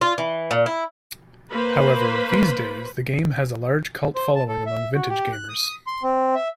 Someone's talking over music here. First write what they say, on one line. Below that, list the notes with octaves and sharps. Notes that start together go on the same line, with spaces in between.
However, these days the game has a large cult following among vintage gamers.
F4
E3
A#2
E4
A#3 B4 C5 B5
C5
A5
A4
E5
F#4
G4
F#6
D#6
C6
C4
E5